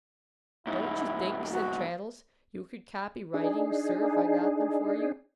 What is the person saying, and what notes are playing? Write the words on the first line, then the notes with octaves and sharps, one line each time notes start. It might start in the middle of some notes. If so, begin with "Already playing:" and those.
'Don't you think,' said Traddles, 'you could copy writings, sir, if I got them for you?'
C2 G#2 E4
F#4
D4 D#4 G#4